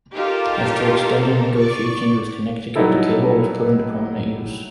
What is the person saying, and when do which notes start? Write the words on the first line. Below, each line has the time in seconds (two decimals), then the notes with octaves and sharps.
After extended negotiations with Connecticut the cable was put into permanent use.
0.14 D#4 F4 G4 A4 A#4
1.56 D5 C#6
2.76 F#3 G3 D#4 E4 A4